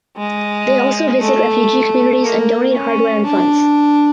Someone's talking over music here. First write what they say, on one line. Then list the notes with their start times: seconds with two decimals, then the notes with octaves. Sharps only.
They also visit refugee communities and donate hardware and funds.
0.17 G#3
1.20 A3
2.22 A#3
2.73 C#4
3.25 D4